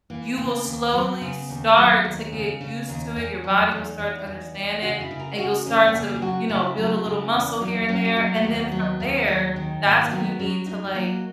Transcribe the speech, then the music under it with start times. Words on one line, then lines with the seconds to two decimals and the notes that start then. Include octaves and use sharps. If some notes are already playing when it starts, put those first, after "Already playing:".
you will slowly start to get used to it. Your body will start to understand it, and you'll start to, you know, build a little muscle here and there, and then from there, that's when you need to, like,
0.10 E3 A#3
0.38 C#3 A#3
0.65 D#2
0.93 F#3 B3
1.21 C#3
1.49 D#2
1.77 F#3
2.05 D#2
2.32 C#3
2.61 C#3
2.89 D#2
3.16 E2
3.44 F#3
3.71 E2 D#4
4.00 E2
4.27 E2
4.55 E2
4.82 C#3 F#4
5.01 E4
5.11 C#3
5.20 A#4
5.38 C#3 F#4
5.52 D#4
5.66 E2 C#4
5.80 G#3
5.88 B3
5.94 C#3 A#3
6.16 G#4
6.22 F#3 F#4
6.49 C#3 E4
6.78 F#3
7.05 C#3
7.33 E2
7.61 F#3 D#4
7.89 F#3 C#4
8.05 G#3
8.16 F#3 A#3
8.35 A#3
8.44 D#2
8.53 B3
8.72 F#3
9.00 D#2
9.28 F#3 G#3
9.56 D#3
9.83 G#2 A#3
10.02 A#3
10.11 F#3
10.20 B3
10.39 F#3 C#4
10.66 F#3 D#4
10.84 G#3
10.95 F#3 A#3